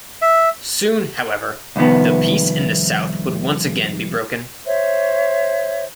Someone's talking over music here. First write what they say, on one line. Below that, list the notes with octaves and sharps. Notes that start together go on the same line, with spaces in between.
Soon, however, the peace in the south would once again be broken.
E5
C2 F2 D#3 B3
C5 C#5 E5